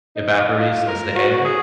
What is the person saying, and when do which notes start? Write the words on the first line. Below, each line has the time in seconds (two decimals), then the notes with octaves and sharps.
evaporates into the air.
0.16 D#4
0.59 F4
0.88 A#4
1.16 F#4
1.45 G#4